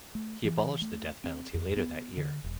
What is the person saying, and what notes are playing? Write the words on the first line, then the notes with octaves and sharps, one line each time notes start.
He abolished the death penalty later that year.
A3
E3
A3
C4
F2
B3
D3
E1